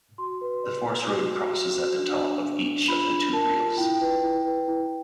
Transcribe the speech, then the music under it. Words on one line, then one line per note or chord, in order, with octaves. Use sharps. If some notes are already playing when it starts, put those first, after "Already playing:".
The forest road crosses at the top of each of the two reels.
F#4 C6
B4
D5
D5
F#4
F#4
F#4
F#4
D4
D4
D4
D4
F4 B5
D4
A#4 A5
F4
E4 G5
B4
E4
B4
E4